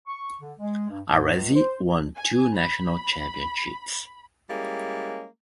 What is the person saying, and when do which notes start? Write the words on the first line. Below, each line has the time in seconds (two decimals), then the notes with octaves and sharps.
Arese won two national championships.
0.07 C#6
0.40 D3
0.59 G#3
0.89 G2
1.08 G#2
1.33 C#2
1.55 C5
2.16 G#5
2.55 B5
4.49 G3 G#3 A#3 C#4 E4